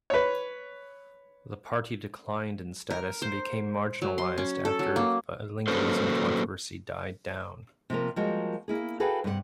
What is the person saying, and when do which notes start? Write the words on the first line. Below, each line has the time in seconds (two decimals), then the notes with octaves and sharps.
The party declined in status, and became marginalized after the bilingualism controversy died down.
0.10 B4 C#5
2.90 A#4
3.22 C5
4.02 F#3
4.18 C6
4.38 C#4
4.65 A4
4.79 F#3
4.96 A#3
5.68 F#3 A#3 C#4 A4 B4 C5
7.90 C3 F3 A#3 A#4
8.16 F3 G3 G#3 A#3 F#4 A#4
8.68 A#3 E4 G#4
9.00 F#4 G#4 A4 B4 F5 G5
9.24 G2 C3 G4 B4 F#5